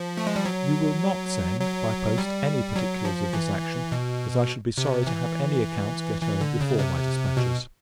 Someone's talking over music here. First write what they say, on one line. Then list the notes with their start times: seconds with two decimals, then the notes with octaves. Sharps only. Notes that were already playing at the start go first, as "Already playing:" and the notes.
You will not send, by post, any particulars of this action, as I should be sorry to have any accounts get home before my dispatches.
Already playing: F3
0.17 A3
0.27 G#3
0.36 G3
0.45 F#3
1.60 F#3
2.18 G3
2.76 F#3
3.05 F3
3.33 E3
3.92 B2
4.78 C3
5.07 E3
6.21 E3
6.41 D3
6.61 C#3
6.79 C3
7.37 B2